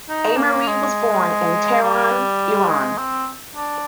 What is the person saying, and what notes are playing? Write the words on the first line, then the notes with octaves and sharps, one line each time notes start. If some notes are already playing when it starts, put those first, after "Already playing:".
Ameri was born in Tehran, Iran.
D#4
A#3
G#3
G3
G#3
C4
D4